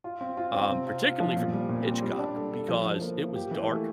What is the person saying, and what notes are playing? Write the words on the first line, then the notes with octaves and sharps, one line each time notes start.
um, particularly from M Hitchcock because it was dark,
F4
C4
F4
C4
C3
F4
F4
F3
A#2
G3
A#2
C4
G3
D4
A4
A4
F3
F3
A#3
A#3
G4
E3
A3